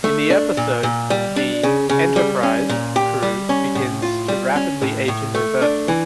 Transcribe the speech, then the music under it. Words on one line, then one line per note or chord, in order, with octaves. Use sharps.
In the episode, the "Enterprise" crew begins to rapidly age in reverse.
A3
D4
A#2
A#2
G3
D4
C#3
C#3
G3
C#4
A#2
G4
G3
C#4
A2
F4
G3
C#4
A2
A2
A3
D4
E3